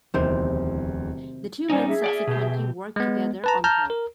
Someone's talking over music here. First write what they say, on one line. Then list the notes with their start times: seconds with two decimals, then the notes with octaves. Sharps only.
The two men subsequently worked together on Help!
0.14 D1 E2 C3 D#3 C4
1.70 G3 C#4 D#4 C5 D5 G#5
1.87 G#4 E5
2.04 D5 F#5 G#5
2.27 B2 G4
2.96 G#3 B3
3.44 B4 A5 A#5
3.64 A5 A#5 F6 G6
3.90 A#4